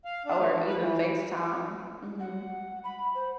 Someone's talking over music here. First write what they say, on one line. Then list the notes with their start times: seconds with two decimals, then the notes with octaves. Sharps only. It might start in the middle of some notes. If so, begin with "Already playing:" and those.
or even FaceTime. Mhm.
0.05 F5
0.25 D4
0.39 A3
0.55 F3
0.67 B4
0.80 E3
2.20 F#5
2.84 B5
3.15 C5